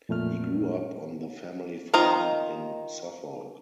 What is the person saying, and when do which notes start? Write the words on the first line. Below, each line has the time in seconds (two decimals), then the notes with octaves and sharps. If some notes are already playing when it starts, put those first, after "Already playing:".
He grew up on the family farm in Suffolk.
0.09 F2 A#2 A3 F6
1.94 D#3 D#4 F4 C5 A#5